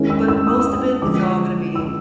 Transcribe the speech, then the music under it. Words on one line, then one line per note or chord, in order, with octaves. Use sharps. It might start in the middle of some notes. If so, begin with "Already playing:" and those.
but most of it is all gonna be
Already playing: D#3 G#3 C#4 E4
E6
E6
D#6
E6
D#6
D3 F3 G#3 D6
E6